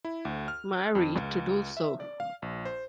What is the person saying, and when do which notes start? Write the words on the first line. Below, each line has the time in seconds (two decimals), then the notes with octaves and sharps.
Marie to do so.
0.05 E4
0.25 D2
0.48 F6
0.95 F2
1.15 C#2
1.77 E5
2.00 D5
2.20 F5
2.42 A#1
2.65 C5